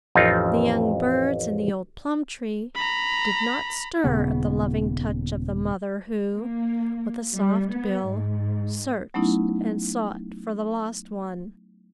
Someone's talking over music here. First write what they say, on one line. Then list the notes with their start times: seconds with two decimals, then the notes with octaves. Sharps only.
The young birds in the old plum-tree did not stir at the loving touch of the mother who, with a soft bill, searched and sought for the lost one.
0.15 A1 F2 C4 D#4 F4
2.75 A#5 B5
4.04 D#1 C#3 B3
6.34 A#3
7.33 G3
7.71 B3
8.07 G#2
9.14 F#3 A3 B3 C#4 D#4 E4